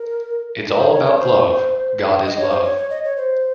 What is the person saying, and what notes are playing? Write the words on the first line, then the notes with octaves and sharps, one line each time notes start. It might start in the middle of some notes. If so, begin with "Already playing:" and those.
It's all about love - God is love.
Already playing: A#4
A#4
C5
C#5
C#5
C5
D#5
C#5
C5
C#5
C#5
D#5
C#5
C5